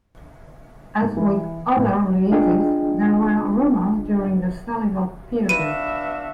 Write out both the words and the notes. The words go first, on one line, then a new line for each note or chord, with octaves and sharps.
As with other releases, there were rumors during the "Salival" period.
G#2
E3
A2
D4 F4 G#4 D#5 G5
D4 F#4 B4 E5 F5 D#7